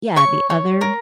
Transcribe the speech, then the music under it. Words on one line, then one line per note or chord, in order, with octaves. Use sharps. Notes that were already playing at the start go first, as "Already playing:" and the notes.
yeah, the other
C#5 C#6
C#5
A#4